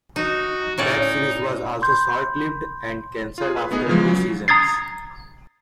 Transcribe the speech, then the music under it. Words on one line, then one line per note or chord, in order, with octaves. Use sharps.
That series was also short-lived and cancelled after two seasons.
D#4 F#4
A2 C#4 D#4 D5
B5 C6 G6
F4 G#4
B4
A3 B3 D#4 G#4
C#3 E3 F3 G#3
F#3
A#5 D#6 G#6 A6 C7